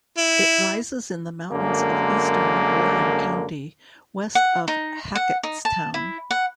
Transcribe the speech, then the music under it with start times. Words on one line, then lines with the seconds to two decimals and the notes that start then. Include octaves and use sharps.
It rises in the mountains of eastern Warren County, west of Hackettstown.
0.18 E4
1.50 F#2 D3 G#3 A#3
4.35 F#5
4.68 D#4
5.15 F#5
5.43 D#4
5.65 A5
5.94 E4
6.31 F#5